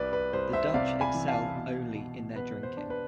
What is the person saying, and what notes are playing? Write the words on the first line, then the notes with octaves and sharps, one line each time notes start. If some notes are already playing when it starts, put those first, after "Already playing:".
The Dutch excel only in their drinking.
Already playing: C2 B4 D5
B4
C2 C5
C5 E5
C3 D5 F5
G#5 B5
E3
F5 A5
B2
B2
B3 B4
C5
D4
B4